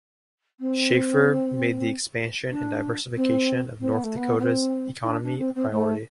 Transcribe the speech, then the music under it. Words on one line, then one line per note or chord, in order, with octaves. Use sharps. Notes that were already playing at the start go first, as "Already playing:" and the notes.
Schafer made the expansion and diversification of North Dakota's economy a priority.
C4
D4
C4
C4
B3
A3
B3
B3
C4
E4
D4
D4
C4
C4
A3